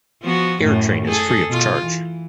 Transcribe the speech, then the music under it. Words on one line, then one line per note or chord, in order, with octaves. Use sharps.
AirTrain is free of charge.
F3 B3 F#4
F#2 A2 A3
G#4 A4
B2 F4
E3